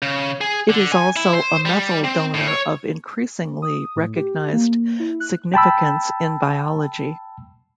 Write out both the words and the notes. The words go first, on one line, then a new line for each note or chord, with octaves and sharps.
It is also a methyl donor of increasingly recognised significance in biology.
C#3
G#4
D3
G#5
E4
C5
G3
C4
A2
C#5
D#6
A2
G4
A#3
E4
F#6
G5 A5 B5 E6